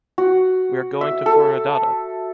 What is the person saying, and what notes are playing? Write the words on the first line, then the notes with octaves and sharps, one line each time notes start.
We are going to Foradada.
F#4
E5
A4